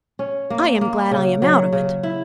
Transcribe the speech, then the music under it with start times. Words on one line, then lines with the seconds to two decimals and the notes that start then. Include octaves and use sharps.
I am glad I am out of it.
0.19 C#4
0.50 A#3
0.81 A#3
1.11 C#3
1.42 F#3
1.73 C#3
2.03 E4